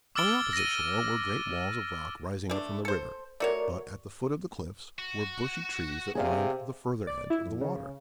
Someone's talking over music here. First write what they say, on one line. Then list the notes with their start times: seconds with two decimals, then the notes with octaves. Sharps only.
On the opposite shore were great walls of rock rising up from the river, but at the foot of the cliffs were bushy trees that lined the further edge of the water.
0.15 D6 E6 F6 A6 D7 G7
0.53 A#6 D#7
2.50 A3 D4
2.85 A4 C5
3.40 A3 F#4 A#4 C#5 D5
4.99 F#4
6.15 C3 G#4 D5 F5
7.07 D5
7.30 E4
7.46 F2
7.61 C#3